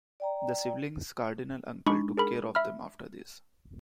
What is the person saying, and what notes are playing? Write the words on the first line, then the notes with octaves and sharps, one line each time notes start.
The siblings' cardinal uncle took care of them after this.
D5 G5 A#5
G#3 D4 D#4 B5 C#6
G#4 A#4 B5
E5 B5 F6